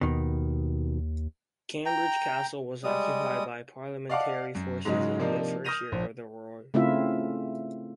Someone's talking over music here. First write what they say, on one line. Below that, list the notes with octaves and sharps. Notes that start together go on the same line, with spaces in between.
Cambridge Castle was occupied by Parliamentary forces in the first year of the war.
D#2 B2 D#3
G5 A#5
G3 G#3 D#6
D5 D#5 F5 F#5 A5 D6
F#2
G#2 C#3 F#3 G#3 D#4
C3 F3 A#3 D4 D#4 F4
D#6 F6 G6 A#6 D#7 F7
A#1
C#3 A3 C4 E4 F4 E5